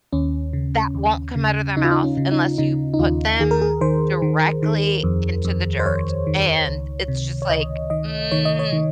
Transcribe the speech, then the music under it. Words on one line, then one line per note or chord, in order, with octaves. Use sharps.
That won't come out of their mouth unless you put them directly into the dirt. And it's just like, mm,
D#2 C#4
C#3
D#2
C#3
C#3 D#4
F4
D#4
C#4
C#3
C#4
D#4
C#3 D#4
D#4
D#2 F4
D#3 G#4
A#4
G#4
D#3 C5
D#3
D#3
F2
F2
C5
F2 C#5
D#3
C#2
C3
C#5
C#2 D#5
D#3 D#5
D#3 C#5
D#5
C#5
D#3